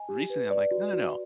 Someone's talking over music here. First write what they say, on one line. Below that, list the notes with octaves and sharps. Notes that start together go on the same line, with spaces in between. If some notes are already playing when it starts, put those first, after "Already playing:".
recently, I'm like, "No, no, no,
Already playing: D#5 G#5
G4
B4
D5
F#4
F#4